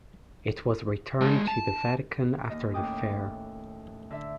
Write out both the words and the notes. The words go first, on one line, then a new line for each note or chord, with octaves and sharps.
It was returned to the Vatican after the fair.
G#3 A5
A5
D#2 D#5
D#2 A2 C#4 G5 D6 D#6
D3 E5